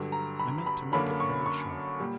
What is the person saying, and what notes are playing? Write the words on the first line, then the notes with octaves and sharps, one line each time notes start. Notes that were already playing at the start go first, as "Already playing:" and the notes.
I meant to make it very short.
Already playing: G2 D3 F#3
A#5
B5
B5
F#2 D3 A#3 C#4 B5
C#6
C#6
A#2 G3